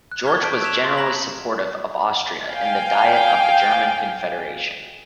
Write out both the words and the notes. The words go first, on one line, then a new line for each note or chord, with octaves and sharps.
George was generally supportive of Austria in the Diet of the German Confederation.
F#6
C#6 F6 G#6 G7
A5 C#6 G6 B6 D7
E6 F#6 G#6 B6 E7 F7
C6
A#5 B5 F#6 A#6 B6 F#7
F5 G5 G#5